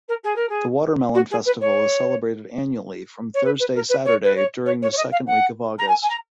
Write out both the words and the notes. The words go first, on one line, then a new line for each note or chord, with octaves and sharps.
The Watermelon Festival is celebrated annually from Thursday-Saturday during the second week of August.
A#4
G#4
A#4
G#4
F#4
G#4
B4
C#5
C#5
B4
B4
A#4
B4
C#5
B4
C#5
C#5
C#5
C#5
D#5
F5
F#5
A#5
G#5
G#5
A#5